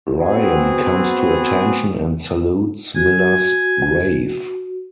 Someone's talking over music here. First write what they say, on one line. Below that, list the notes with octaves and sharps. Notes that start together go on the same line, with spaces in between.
Ryan comes to attention and salutes Miller's grave.
B3 C4 F#4 G#4
F#4 G#5